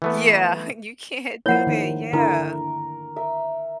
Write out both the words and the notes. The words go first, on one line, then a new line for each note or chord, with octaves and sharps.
Yeah, you can't do that, yeah.
E3 A3 B3
F3 A#3 E4 C#5 F#5
D#3
D3 E4 A#4
A#4 E5